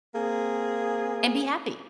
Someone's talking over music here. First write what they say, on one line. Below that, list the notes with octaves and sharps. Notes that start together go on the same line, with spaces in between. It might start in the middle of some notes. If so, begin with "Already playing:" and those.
And be happy.
A#3 C4 G#4